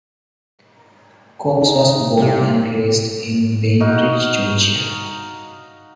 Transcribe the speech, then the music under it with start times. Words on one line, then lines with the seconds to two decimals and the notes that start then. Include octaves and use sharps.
Cox was born and raised in Bainbridge, Georgia.
1.61 D#4 G#4
2.17 C3 G3 G4
3.80 D#4 F#4 D#5 F5